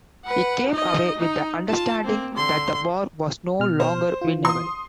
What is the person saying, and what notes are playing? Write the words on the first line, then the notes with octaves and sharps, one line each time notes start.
He came away with the understanding that the war was no longer winnable.
B4 F#5
D#4 D#5
D#4
F4 A5
A#3 C4
D3 C6
B2 F6
C5
E3 F4
C6 D#6